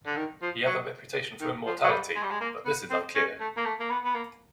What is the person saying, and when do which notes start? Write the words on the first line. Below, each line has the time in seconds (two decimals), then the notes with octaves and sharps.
He has a reputation for immortality, but this is unclear.
0.06 D3
0.16 D#3
0.42 F3
0.66 F#3
1.41 D#3
1.66 F3
1.84 F#3
1.91 G3
2.15 G#3
2.23 G3
2.31 G#3
2.40 A#3
2.65 B3
2.90 C4
3.15 C#4
3.40 A3
3.57 A#3
3.65 A3
3.79 A#3
3.90 B3
4.04 B3
4.14 A#3